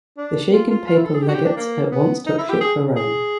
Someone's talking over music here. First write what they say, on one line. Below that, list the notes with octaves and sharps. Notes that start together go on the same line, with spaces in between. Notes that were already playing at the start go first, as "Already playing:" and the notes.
The shaken papal legates at once took ship for Rome.
D4
F4
F4
F4
E4
A4
G#4
G4
F#4
G4
D4
A#3
B3
D#4
E4
G4
G#4
G#4